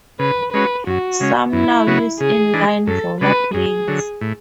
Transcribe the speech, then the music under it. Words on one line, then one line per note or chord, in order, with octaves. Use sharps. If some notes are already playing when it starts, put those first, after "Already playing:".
Some now use in-line roller-blades.
C#3 B4
G#3 C#4 F#4 B4
F#2 F#4
C#3 G#3 C#4
F#2 E4
C#3 F#3 B3 F#4
C#3 G#4
E3 G#3 D4
F#2 A4
C#3 G#3 D4 F#4 B4
F#2 G#4
D3 F#3
A2